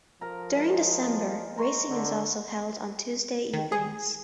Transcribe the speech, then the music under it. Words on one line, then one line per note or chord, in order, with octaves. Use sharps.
During December racing is also held on Tuesday evenings.
F3 A#4 A#5
G#3
A#5 C6 C#6
D3
D#3
G#4